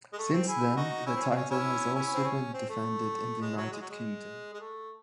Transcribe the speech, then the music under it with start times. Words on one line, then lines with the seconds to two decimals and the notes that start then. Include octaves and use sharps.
Since then, the title has also been defended in the United Kingdom.
0.13 G#3
0.18 A3
0.33 C4
0.48 E4 G#4
0.76 D#4 F#4
1.06 C#4 E4
1.16 C4
1.21 C#4
1.31 C4
1.35 C#4
1.50 C#4 E4
1.94 C#4 E4
2.14 C4
2.24 C#4
2.54 C4
2.69 A3
3.42 G#3
3.57 F#3
3.72 G#3
3.81 F#3
3.90 G#3
4.53 G#3
4.60 A3